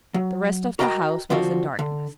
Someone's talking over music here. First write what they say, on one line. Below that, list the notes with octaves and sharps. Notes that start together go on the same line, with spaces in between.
The rest of the house was in darkness.
F#3
F#4 A#4 D#5 G5 A5 A#5
D3 F3 C4 F4 F#4
D3